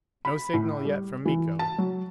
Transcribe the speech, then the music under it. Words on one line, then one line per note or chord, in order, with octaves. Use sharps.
No signal yet from Miko.
B5
A2
G3
E3
A5
F#3